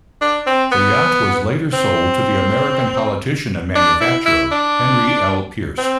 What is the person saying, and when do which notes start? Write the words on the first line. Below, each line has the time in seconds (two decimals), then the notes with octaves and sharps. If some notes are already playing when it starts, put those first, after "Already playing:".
The yacht was later sold to the American politician and manufacturer, Henry L. Pierce.
0.22 D4
0.47 C4
0.72 B3
1.73 C4
3.75 D4
4.01 E4
4.26 E4
4.52 D4
5.78 C4